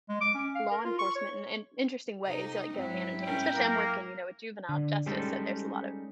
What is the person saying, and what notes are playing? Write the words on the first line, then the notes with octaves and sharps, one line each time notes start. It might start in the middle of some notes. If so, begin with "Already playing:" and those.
law enforcement in in interesting ways, like, go hand in hand, especially I'm working, you know, a juvenile justice, so there's a lot of,
G#3
D6
C#4
F5
A#4
F4
C#6
C#5
F2 C3 D#4
G#2 F#3 C4 E4
C#4 A#4 G5
F#3 A#3 A#4
D3
G3 G#3 C#4 D#4 G4 A4